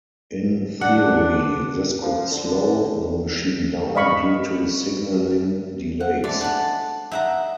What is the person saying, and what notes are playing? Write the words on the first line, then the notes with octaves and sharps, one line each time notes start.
In theory, this could slow the machine down due to signalling delays.
D4 F#5
F3
D3
D5 D#5 F5 B5 C#6
F#5
G#3 A3 D5
D4 F#5 A5
D#4 E5 F#5 A#5